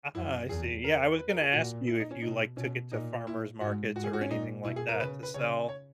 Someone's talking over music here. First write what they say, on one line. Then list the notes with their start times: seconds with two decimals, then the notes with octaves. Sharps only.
Ah, I see, yeah, I was gonna ask you if you, like, took it to farmer's markets or anything like that to sell.
0.15 F#2 E4
0.49 E2 G#4
0.84 A#4
1.18 B4
1.29 A#4
1.41 G#4
1.53 A#2 F#4
1.87 E4
2.00 D#4
2.11 C#4
2.22 B2 D#4
2.57 B2 C#4
2.92 A#2 D#4
3.27 E4
3.61 G#2 F#4
3.95 G#2 F#4
4.04 G#4
4.13 F#4
4.21 C#4
4.30 A#2 D#4
4.64 B2 E4
4.76 G#4
4.89 A#4
4.99 C#3 B4
5.23 B4
5.34 C#3 C#5
5.69 C#5